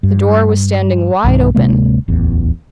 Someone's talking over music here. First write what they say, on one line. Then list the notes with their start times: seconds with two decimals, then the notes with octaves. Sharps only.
The door was standing wide open.
0.03 G2
1.24 B1 G2 D#3
1.55 D1 C3 G#3 A#3
2.08 D1 A1 E2